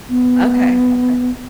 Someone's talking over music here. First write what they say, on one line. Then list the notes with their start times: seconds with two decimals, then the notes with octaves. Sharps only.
Okay, okay.
0.09 B3